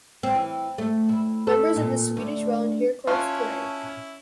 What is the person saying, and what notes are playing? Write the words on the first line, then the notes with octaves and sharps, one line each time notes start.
Members of the Swedish Volunteer Corps parade.
C4
E3
A3
E4
A4
A#2
D2
C#4 E4 F4 A5 C#6 F#6